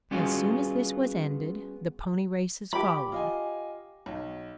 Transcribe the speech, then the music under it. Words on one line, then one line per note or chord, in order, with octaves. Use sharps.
As soon as this was ended, the pony races followed.
G3 B3 C#4 F4 F#4 G#4
G4 B5
F4 D#5 G#5
B1